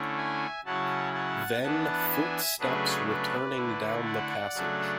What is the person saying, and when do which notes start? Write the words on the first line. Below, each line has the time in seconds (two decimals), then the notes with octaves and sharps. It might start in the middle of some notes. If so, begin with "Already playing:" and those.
Then footsteps returning down the passage.
Already playing: D3 A3 C#4 E4
0.17 E5 G#5
0.65 C#3 F#3 C#4 E4 F#5 A5
1.14 F#5 A5
1.63 E3 B3 D4 F#5 A5
2.11 E5 G#5
2.59 C#3 F#3 A3 D4 G#4 B4
3.08 B4 D5
3.56 D3 A3 E4
4.05 D5 F#5
4.53 C#3 F#3 A3 D4